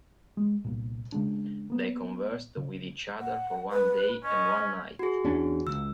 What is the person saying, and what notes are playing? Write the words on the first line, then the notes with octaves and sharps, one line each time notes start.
They conversed with each other for one day and one night.
G#3
C2 A#2
C#3 G#3 D4
A#3 B3
C#3
F#5
B4
C#4 D#5
F#4 G#4
E2 C#4 D4
C#2 E6